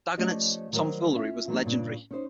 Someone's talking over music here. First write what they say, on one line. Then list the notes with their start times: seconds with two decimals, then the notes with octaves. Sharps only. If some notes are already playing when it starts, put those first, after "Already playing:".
Dagonet's tom-foolery was legendary.
0.18 F3 A3 C#4 G4 D5 D#5
0.72 D#3 F#3 G3 G#4 A#4 C5
1.13 C#4 F4 E5
1.47 E3 F#3 A3 C4 D#4 E4
1.65 G2 A#2 C#3 D4
2.11 C#4 D#4 C5